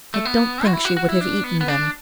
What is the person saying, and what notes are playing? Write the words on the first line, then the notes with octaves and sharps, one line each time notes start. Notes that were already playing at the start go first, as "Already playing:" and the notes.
I don't think she would have eaten them.
A3
B3
F#4
E4
F#4
F#4
E4
D4
B3
B3
D4